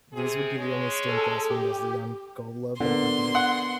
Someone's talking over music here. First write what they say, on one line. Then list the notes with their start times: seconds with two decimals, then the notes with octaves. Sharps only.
These would be the only stained glass windows Leon Golub ever did.
0.13 C3 G#4
0.57 G#3 C#4
1.08 A4
1.50 G4
2.80 D3 B3 A#4 C6
3.35 F#5